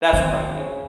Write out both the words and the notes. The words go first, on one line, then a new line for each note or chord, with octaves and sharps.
That's what I mean.
D#3 C4
C#3